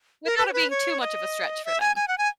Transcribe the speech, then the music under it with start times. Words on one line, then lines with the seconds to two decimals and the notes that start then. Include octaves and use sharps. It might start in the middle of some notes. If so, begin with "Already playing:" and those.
without it being too much of a stretch for them.
0.25 A#4
0.38 B4
0.48 C#5
0.53 B4
0.70 C#5
1.01 D#5
1.65 E5
1.81 G#5
1.96 G#5
2.08 F#5
2.18 G#5